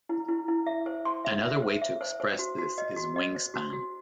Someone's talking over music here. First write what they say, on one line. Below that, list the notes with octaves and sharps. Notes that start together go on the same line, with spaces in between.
Another way to express this is wing span.
E4
E4
E4
E5
C5
C6
E5
E5
C5
E5
C5
C5
F#4
F#4
D#5
F#4
D#5
C5
F#4
F#4